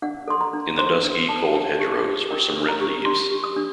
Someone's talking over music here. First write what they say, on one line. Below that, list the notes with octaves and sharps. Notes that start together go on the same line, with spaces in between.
In the dusky, cold hedgerows were some red leaves.
D4 F#5
A4 C6
A#5
D4
C5 C6
D4
A4 A5
D4 G5
G4
D4
A#4 G5
D4
A#5
G4
D4 C6
G4
D#6
D4